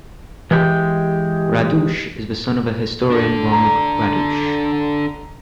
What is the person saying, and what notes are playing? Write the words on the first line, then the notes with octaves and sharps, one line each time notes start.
Radosh is the son of historian Ronald Radosh.
E3 G#3 G4
D4 A4
A#5